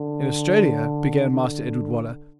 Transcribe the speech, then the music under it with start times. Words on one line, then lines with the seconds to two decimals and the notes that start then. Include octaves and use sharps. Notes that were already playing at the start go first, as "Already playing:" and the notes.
'In Australia--' began Master Edward Waller.
Already playing: D3
1.32 D3